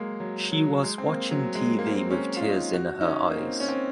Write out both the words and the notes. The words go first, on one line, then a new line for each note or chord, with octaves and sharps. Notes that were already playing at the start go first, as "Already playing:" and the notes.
She was watching TV with tears in her eyes.
Already playing: F#3 G#3 A#3
F#3
F#3
G#3
C4
A#3
F#3
G#3
A#3
C4
A#3
C#4
F4
D#4
F#4
D#4
C#4
A#3
C4
C#4
C4